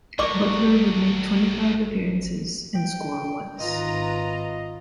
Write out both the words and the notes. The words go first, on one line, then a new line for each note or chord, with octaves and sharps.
Butler would make twenty-five appearances and score once.
G#1 A2 F#3 A#4 D5 C#6 D6
G5
G#1 F4 B4 D#5 A#5